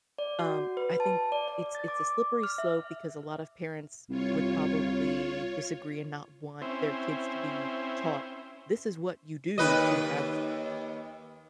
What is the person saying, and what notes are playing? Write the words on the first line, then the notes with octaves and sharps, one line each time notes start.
um, I think it's it's a slippery slope because a lot of parents would probably disagree and not want their kids to be taught, "This is what you do to have,"
D5
F#4
B4
A5
D5
D5
A6
D6
F6
E5
C2 F4 C#5
C4 C#4 E4 C5
D#2 B4 D#5